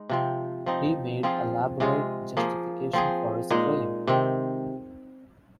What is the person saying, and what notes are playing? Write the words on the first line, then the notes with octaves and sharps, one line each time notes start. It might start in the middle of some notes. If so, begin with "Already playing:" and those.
He made elaborate justifications for his claim.
Already playing: G#3 D#4
C3 F3 C4
F3 C4 D#4
F3 C4 F4 G#4
C3 G#3 F4 G#4
F3 A#3 G#4
F3 C4 G#4
A#2 G#3 D#4 G#4
C3 D#3 C4